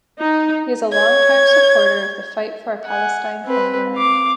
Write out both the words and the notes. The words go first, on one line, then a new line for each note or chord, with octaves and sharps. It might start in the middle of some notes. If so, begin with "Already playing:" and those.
He is a longtime supporter of the fight for a Palestine homeland.
D#4
C#5 G#6
F#5 G#5
C4 B4
F5 D6